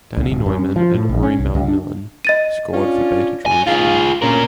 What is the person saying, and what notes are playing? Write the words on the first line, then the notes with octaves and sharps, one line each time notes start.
Danny Noyman and Uri Malmilian Scored for Beitar Jerusalem.
C#2
D1
F#2
C#4
F3
A2
A#1
C#4
C2
C#2
D4
D#5 A6 D#7
C#4 D4 F4
F#2 G#5
D#4 F4 G#4 F5
D2 A#2 C#4 A#4